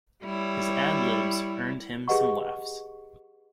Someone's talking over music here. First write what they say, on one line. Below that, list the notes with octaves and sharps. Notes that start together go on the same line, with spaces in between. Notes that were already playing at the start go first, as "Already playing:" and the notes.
His ad-libs earned him some laughs.
G3 E4 C#5
G4 G#4 B4 D#5 F#5 C#6